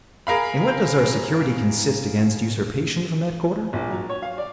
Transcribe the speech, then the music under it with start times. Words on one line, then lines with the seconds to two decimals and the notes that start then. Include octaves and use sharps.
In what does our security consist against usurpation from that quarter?
0.27 G#4 A#4 F5 B5
3.73 A#1
3.90 F#3
4.09 C#5
4.22 F5
4.38 D5